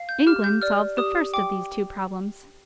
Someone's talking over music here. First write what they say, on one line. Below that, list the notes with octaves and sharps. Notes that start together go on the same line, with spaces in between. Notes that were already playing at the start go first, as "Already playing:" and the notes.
England solves the first of these two problems.
Already playing: F5
G6
G4 F6
G6
D5 F6
G4 D#6
G5 D6